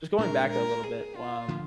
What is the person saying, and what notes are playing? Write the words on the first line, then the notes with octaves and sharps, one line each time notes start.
just going back a little bit, um,
A#2 G#3 D4 A#4
A#4
G#4
F4
D3 F3